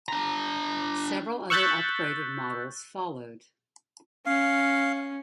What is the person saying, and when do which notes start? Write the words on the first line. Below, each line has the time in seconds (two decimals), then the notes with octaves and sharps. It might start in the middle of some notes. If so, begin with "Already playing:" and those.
Several other upgraded models followed.
0.08 D4 A#5
1.50 C#6 E6 F#6 G6 A6 B6
4.26 C#4 F5